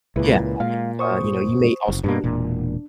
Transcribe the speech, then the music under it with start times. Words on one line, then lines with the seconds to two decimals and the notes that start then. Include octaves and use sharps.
Yeah, I think, uh, you know, you may also lean
0.16 C#2 A#2 E4 B4
0.60 A#2 G#3 F5
0.99 C5 C#6 D#6
1.88 F#1
2.04 G2 B2 A#3 D4
2.24 E1 A#2